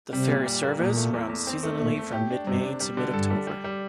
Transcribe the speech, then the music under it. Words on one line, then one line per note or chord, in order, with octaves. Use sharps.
The ferry service runs seasonally from mid-May to mid-October.
C3 G3
A#2
G3
A#3
E2 A#2
A3
E2
E2
C4
A3
A#2 A3
A3
A2 G4
D4
G2 C3
D4
G3
D3
G2 A4
G3
G3
G3